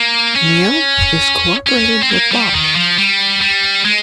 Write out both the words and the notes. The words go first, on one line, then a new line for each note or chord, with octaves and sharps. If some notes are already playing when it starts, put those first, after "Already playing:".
Nio is cooperating with Bosch.
Already playing: A#3
C#4
C#4
C4
A#3
G3
D#3
F3
G3
G3
G#3